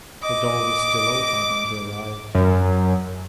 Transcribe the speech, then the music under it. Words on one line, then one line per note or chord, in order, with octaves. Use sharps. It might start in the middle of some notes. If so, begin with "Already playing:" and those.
The door was still open when he arrived.
D#5 D6
F#2